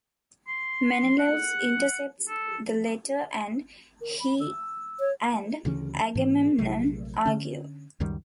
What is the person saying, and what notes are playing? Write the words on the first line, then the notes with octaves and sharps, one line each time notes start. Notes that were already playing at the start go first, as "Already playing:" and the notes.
Menelaus intercepts the letter and he and Agamemnon argue.
C6
F#5
A4
A#4
B5
E6
C#5
D2 C#3 E3 C#4
G#2 E3 B3
A#1 C3 F#3 A3
D3 C#4
C#2 F#2 D#3 G3